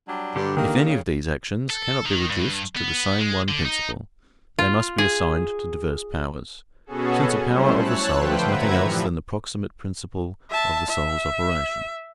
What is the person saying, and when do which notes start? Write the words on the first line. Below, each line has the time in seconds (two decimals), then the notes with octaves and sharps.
If any of these actions cannot be reduced to the same one principle, they must be assigned to diverse powers; since a power of the soul is nothing else than the proximate principle of the soul's operation.
0.08 F#3 G3 D4
0.36 G2 D3 G4
0.57 D#3 A#3
0.87 G2 C#3
1.70 A4
2.05 D#3
2.30 G2
2.77 B3
3.19 G#3
3.49 D3
3.64 D#4
4.59 F4
4.98 G#4
6.86 B2 B3 C#4 F#4 G#4 A4
7.45 F#3 G3 A3 C#4 E4 C5
7.75 C#5 A5 E6 F#6
8.15 D3 F3 A3 B4 C5 G5
8.46 F#2 B4 E5 F#5 A#5 G#6
8.76 A2 E3 F3 G3
10.50 E5 A5
10.89 E5